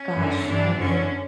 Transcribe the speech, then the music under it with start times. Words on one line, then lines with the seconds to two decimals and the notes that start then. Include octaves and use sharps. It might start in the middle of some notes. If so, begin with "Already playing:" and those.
Gosh, I mean,
Already playing: C#4
0.16 F#2 D3
0.47 G2 E3 D4
0.78 F#2 D3 C#4